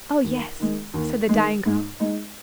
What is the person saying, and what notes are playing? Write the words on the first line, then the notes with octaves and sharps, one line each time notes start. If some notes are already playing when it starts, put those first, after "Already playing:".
"Oh, yes," said the dying girl.
D#2
D#3 G#3
D#2
D#3 G#3
G#2
G#3 D#4